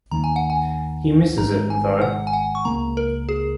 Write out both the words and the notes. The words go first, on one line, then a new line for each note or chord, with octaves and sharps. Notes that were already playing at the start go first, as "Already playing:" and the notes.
He misses it, though.
D#2 D#3 A#3 A#5
G#5
F#5
G#5
G#1 G#2 G#3 A#5
G#5
F#5
G#5
F#5
C#6
C#2 C#3 A#3 A#5
A#4
G#4